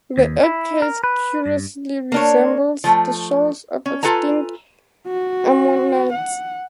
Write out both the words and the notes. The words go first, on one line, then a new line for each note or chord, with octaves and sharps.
The eggcase curiously resembles the shells of extinct ammonites.
D#2
E4
A#4
B4
G2
A#3 D4 C#5
F3 A3
C#4
F4 A4 B4 G#5 A#5
F#4
F#5